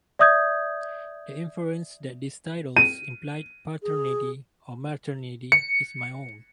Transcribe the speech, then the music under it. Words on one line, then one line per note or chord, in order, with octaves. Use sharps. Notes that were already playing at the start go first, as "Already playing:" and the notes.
The inference that these titles implied paternity or maternity is my own.
D5 E5 D#6 G6 G#6
D#7
G#4
C#7